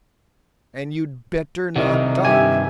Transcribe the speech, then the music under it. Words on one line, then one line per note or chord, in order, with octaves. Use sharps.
And you'd better not talk.
C2 C3 D#3 D#4
G2 G4 E5 G#5